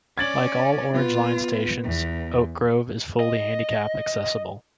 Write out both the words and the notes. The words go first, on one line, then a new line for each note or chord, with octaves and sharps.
Like all Orange Line stations, Oak Grove is fully handicapped accessible.
C#4 D5 G#6 A6 F#7
B3 F4
E2
D#5